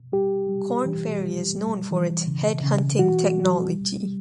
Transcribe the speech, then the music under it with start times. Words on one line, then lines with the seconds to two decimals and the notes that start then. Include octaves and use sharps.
Korn Ferry is known for its "headhunting technology".
0.12 G3 G4
0.48 G3
0.85 E3
1.20 G3
1.56 G3
1.92 E3
2.27 C#3
2.63 C#3
2.99 E3 F#4
3.34 G3
3.71 G3
4.05 G3